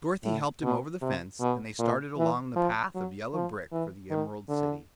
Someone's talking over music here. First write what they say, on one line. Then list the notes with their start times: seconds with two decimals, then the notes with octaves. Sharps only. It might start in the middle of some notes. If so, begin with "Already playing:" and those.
Dorothy helped him over the fence, and they started along the path of yellow brick for the Emerald City.
0.24 A2
0.63 B2
1.02 C3
1.40 B2
1.79 A#2
2.17 E3
2.56 F3
2.95 F#3
3.34 F3
3.72 E3
4.11 D#3
4.49 D3